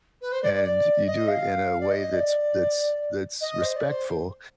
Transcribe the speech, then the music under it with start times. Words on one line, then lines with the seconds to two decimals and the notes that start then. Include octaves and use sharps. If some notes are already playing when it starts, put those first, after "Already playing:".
and you do it in a way that's that's that's respectful,
0.21 B4
0.32 C5
0.43 D5
0.53 D5
0.64 D5
1.06 D#5
1.28 F5
1.80 D5
1.91 D#5
2.13 D5
3.41 D#5
3.62 C5
3.76 D5
3.89 C5